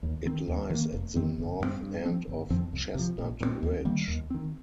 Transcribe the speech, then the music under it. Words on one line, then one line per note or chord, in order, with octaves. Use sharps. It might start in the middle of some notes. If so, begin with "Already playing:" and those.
It lies at the north end of Chestnut Ridge.
D#2
D#3 C4
D#2
D#3 A#3
F1
F2 D#3 C4
G1
G2 F3 C4
G2
F3 C4
G1
F2 F3 C4
C2
C3 F3
A#1
A#2 G3 C4
D#2
D#3 G3 A#3
D#2
D#3 C4